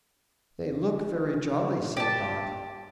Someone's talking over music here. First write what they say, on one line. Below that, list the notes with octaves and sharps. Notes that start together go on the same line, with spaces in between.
"They look very jolly," said Dot.
G4 A5